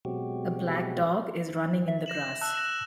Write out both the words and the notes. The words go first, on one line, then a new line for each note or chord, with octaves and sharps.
A black dog is running in the grass.
B2 F#3 G#3 C4 F#4 G4
E5
A#6 E7 F#7
A5 E6 F#6
F#6 A#6 E7